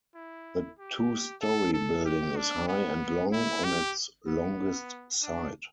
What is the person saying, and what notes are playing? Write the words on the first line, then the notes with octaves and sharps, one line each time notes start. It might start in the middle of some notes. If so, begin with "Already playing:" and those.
The two-story building is high and long on its longest side.
E4
G4
A4
A4
G4
D4
B3
E4
G4
B3
D4